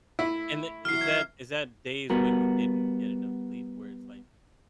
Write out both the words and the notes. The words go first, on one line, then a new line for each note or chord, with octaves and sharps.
And tha is that is that days when you didn't get enough sleep where it's like
A3 E4 B5
E3 F#3 F6 C7
E5 G#6
G3 B3 F#4 A#4